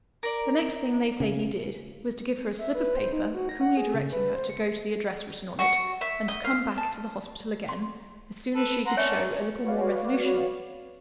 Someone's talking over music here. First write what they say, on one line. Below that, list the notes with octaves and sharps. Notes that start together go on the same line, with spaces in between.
The next thing they say he did, was to give her a slip of paper, coolly directing her to go to the address written on it, and to come back to the hospital again, as soon as she could show a little more resolution.
A#4 D5
C#3
E5
B4
C5
D#4
F#4
A#6
F#5
G#4
C#3
B4
C5
C#7
F#4
E5
D#5
F5
A5
C6
A4 B4
F#5 A#5 C6
C#4 D4 C#5 E5 G#5
F#4 B4 C#5 D5 F5